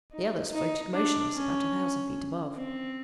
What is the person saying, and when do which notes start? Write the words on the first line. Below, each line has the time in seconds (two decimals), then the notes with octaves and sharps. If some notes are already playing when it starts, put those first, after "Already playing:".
The others floated motionless about a thousand feet above.
0.12 D#4
0.53 D#4
0.93 D4
1.34 C#4
2.56 C4